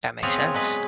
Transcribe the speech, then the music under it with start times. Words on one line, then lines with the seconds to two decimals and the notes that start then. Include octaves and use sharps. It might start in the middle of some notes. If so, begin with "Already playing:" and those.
That makes sense.
0.23 B3 C4 F4 G#4 C#5
0.54 F#3 G#3 B4